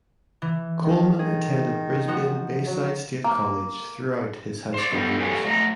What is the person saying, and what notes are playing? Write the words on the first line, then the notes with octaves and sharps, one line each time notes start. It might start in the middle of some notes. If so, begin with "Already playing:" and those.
Coleman attended Brisbane Bayside State College throughout his high school years.
E3
D#3
D#3 G#4
F3 D#4 F#4
F#3
A#3
C5 D5
B3 D#4 F4 G4 A4
G4 A4 B4 C#5 F5 G#5
F#3 A3 D#5 A5 A#5